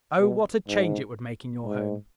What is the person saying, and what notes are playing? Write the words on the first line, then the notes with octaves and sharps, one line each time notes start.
O what a change it would make in your home!
B2
G#2
G#2